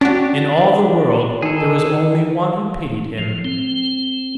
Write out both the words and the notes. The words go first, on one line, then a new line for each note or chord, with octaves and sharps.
In all the world there was only one who pitied him.
C#4 D4 F#4 G4
D#3 G#4 A4
F3
C4